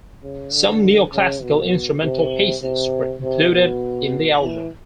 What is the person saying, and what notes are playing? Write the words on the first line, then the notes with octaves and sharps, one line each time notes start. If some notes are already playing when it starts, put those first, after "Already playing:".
Some neoclassical instrumental pieces were included in the album.
C#3
D3
C#3
B2
C3
C3
C3
B2
E3